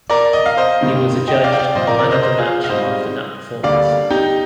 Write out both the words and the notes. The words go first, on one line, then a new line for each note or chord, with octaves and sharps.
He was adjudged the man of the match after that performance.
A#4 D5
D#5
F5
C5 D#5
G2 D#3 A#3
D#5 G5
D5 F5
G5
D5 F5
A#2 F3 C4 C5 D#5
A#4 D5
A#4 D5
C5 D#5
C5 D#5
F4 G#4
F5
G#2 G3 C4 C5 D#5
D2 D3 G3 A#3 D5 F5
D#4 G4